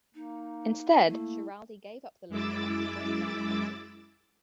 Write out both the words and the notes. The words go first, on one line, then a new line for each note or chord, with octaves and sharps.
Instead, Schiraldi gave up the lead after just five batters.
A#3 D#4
A3 A#3 E4
F#2 G#3 E4 D6 E6 A6